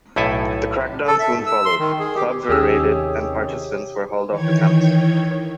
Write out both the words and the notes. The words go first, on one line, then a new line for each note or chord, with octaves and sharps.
The crackdown soon followed: clubs were raided, and participants were hauled off to camps.
B1 A2 E4 A4 G#5
A4
E5
G#2
E6
C6
D#3
G#4
G4
D#2 C3 D#3 C#4 G4 G#4 C#5 E6
D#3 E3 C#5 G5 G#6